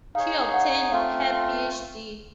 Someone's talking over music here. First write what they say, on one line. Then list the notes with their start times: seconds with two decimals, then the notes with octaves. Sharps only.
She obtained her Phd.
0.15 D#4 G#4 C#5 F5
0.54 F#5
0.92 A3 C4 F4 F5